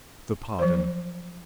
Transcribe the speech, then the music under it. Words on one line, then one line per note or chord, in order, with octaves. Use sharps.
The Pardon.
F3 F#3 C5